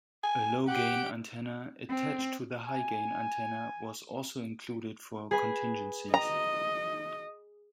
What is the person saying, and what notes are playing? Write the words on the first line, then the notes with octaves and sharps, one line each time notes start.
A low-gain antenna attached to the high-gain antenna, was also included for contingencies.
G#5
G4 F#5 D7
C4
G#5
G#4 B4 G#5
D#5 A#5